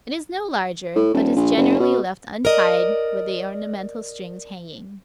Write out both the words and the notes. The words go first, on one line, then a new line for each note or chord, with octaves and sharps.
It is no larger, but is generally left untied with the ornamental strings hanging.
A2
D#1
A#1
F#1
B2
A#4 D5 D#5